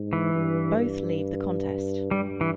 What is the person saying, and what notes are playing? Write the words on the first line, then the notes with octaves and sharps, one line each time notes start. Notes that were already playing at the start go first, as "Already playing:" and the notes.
Both leave the contest.
Already playing: G#2
E3
G2
G2 G3
E3